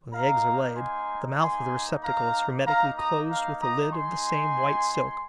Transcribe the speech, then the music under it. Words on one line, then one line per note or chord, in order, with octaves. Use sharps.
When the eggs are laid, the mouth of the receptacle is hermetically closed with a lid of the same white silk.
A#3 D#4 F5 A#5
G#5 C6
A#3 D#4 G#5 C6
F5 A#5
A#3 D#4 F5 A#5
A#5 D#6
F5 A#5
A#5 D#6
G#3 D#4 G#5 C6